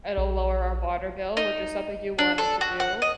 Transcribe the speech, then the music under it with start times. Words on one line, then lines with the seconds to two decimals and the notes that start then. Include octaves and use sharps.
it'll lower our water bill, which is something you wanted to do,
0.18 A#1
1.37 D#4
2.19 D4
2.38 A4
2.61 F#4
2.80 F#5
3.02 D#5